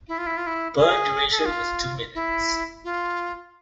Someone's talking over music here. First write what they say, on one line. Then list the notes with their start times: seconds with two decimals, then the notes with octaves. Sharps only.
Burn duration was two minutes.
0.08 E4
0.18 F4
0.27 E4
0.37 F4
0.47 E4
0.77 G#4
1.31 A4
1.39 G#4
1.45 F4
2.15 E4
2.84 F4